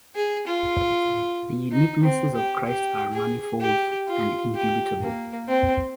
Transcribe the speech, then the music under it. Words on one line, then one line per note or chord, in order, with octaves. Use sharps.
The uniquenesses of Christ are manifold and indubitable.
G#4
F4
D#4
C4
G4
G4
G#4
G4
F4
G4
A#3
C4